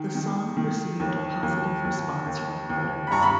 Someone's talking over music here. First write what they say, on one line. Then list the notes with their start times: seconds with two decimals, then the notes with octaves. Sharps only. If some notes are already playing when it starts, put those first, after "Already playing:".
The song received a positive response from critics.
Already playing: D#3
0.15 D#3
0.57 D#3
1.00 D#2
1.43 D#2
1.84 D#2
2.26 D#2
2.70 D#2
3.07 B5
3.11 G2 A#5 C#6
3.22 B5